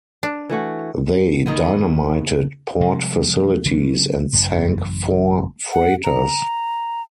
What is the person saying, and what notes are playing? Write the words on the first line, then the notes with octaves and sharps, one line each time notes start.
They dynamited port facilities and sank four freighters.
D4
E3 A3 F#4
D#3 A#3 B3
C3 F3 G3 G#3
C#3 F#3 C#4
A1 F#2 C#3 E3
F#5
A#5